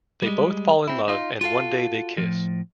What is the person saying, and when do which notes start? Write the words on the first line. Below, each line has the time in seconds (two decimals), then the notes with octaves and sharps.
They both fall in love and one day they kiss.
0.22 G3 G#3
0.88 C4 E4
1.08 D#4 F4
1.41 F4 F#4 A4 F5
2.18 A2 F3